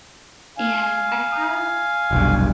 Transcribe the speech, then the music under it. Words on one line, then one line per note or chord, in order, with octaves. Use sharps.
and I have
F5 G#5
F1 B1 G2